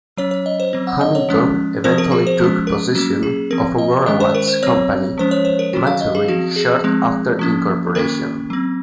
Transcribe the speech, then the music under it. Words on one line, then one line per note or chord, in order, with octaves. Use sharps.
Hamilton eventually took possession of Aurora Watch Company's machinery shortly after incorporation.
F#3 C#4 C#5
C#5
D#5
C5
F#3 C4
F#5
D#5
C#5
F3 G#3 C#4
F3 C4 C5
A#4
G#4
C5
F3 G#3 C#4
A#4
F#3 A#3 C#4 F#4
G#4
F3 C4 A#4
D#5
D#3 G#3 C#4 D#5
C5
A#4
C5
F#3 C4 C#5
F3 G#3 C#4 C5
C#5
C5
A#4
D#3 F#3 C#4 F#4
F5
D#5
G#4
F3 C4 F#4
G#4
F3 G#3 C4
F3 A#3 C#4
D#3 A#3 C#4 A#4
F#3 C4